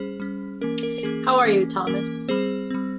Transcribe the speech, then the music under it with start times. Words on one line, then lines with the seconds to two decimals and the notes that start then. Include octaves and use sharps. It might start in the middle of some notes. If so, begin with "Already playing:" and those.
How are you, Thomas?
Already playing: G3 C#4 G#4 C5
0.20 G3 C#4
0.61 E3 A#3 C#4 A#4
0.83 A#4
0.98 A#4
1.03 E3 A#3 C#4 G#4
1.45 E3 A#3 C#4
1.87 E3 A#3 C#4 A#4
2.28 G3 C4 G#4 C5
2.71 G3 C4